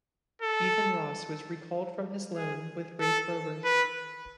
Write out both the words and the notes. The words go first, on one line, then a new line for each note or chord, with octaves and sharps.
Ethan Ross was recalled from his loan with Raith Rovers.
A4
G#4
A4
B4